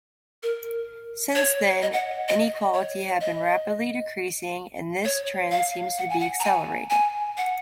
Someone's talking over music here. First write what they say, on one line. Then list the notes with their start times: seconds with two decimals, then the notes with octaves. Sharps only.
Since then inequality have been rapidly decreasing, and this trend seems to be accelerating.
0.43 A#4
1.35 C#5
1.82 D#5
1.93 F#5
2.28 D#5
2.74 C#5
3.21 D#5
5.05 C#5
5.51 F5
5.98 F#5
6.09 G#5
6.20 F#5
6.40 A#5
6.44 G#5
6.90 G#5
7.37 F#5